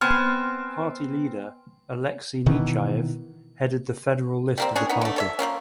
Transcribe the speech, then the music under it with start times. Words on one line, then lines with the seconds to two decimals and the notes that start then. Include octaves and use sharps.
Party leader Alexey Nechaev headed the federal list of the party.
0.01 B3 C4 G#5 C6 F6
2.46 B2 D#3 E3
4.58 G3 A#3 C4
4.76 C#4 D4 G#4
4.89 B3 C#4 D#4
5.01 D3 A3
5.16 A4 C#5 E5
5.39 F3 G3 A#3 C#4